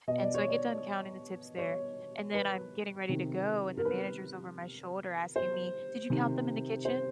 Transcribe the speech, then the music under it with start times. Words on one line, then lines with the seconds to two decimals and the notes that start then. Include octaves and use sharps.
And so I get done counting the tips there, and then I'm getting ready to go, and the manager's over my shoulder asking me, "Did you count them in the kitchen?"
0.08 B2 D#5
0.21 D5
0.34 C#5
0.48 D5
1.58 C#5
2.34 B4
3.09 C3 D#3
3.77 A#4
3.85 B4
5.36 C5
6.10 C3 D#3
6.85 C5